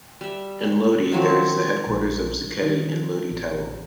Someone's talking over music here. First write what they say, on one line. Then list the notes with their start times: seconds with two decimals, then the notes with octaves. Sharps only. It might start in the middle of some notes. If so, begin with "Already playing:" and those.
In Lodi there is the headquarters of 'Zucchetti', in Lodi Tower.
0.21 G3 E5
1.12 D#3 F3 F#3 C4
1.87 A#1
2.62 D#3
3.32 A1